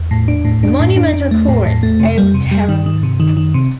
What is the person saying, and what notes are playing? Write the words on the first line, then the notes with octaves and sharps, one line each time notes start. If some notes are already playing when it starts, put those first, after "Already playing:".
The monumental chorus O terror!
Already playing: E2
A2
D4
A2
E2
F2 D4
A2
F#2
D4
F2
D4
E2 A3
A2
A2
A3
F2 C3
G3
F2
C3
F2
G3
G2 D#3
D#3
G#2
C3
G2
D#3
F#2 D#3
C3